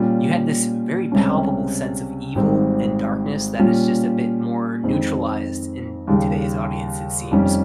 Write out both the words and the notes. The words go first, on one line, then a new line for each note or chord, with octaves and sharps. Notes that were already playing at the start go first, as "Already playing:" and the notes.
You had this very palpable sense of evil and darkness that is just a bit more neutralized in today's audience, it seems.
Already playing: A#2 G3 C#4 F4
C#2 C3 G3 C#4
G#1 G#2 G3 C4
A#2 G3 C#4 F4
F2 D#3 G#3 C4
D#2 C#3 G3
F1 F2 D#3 G3 C#4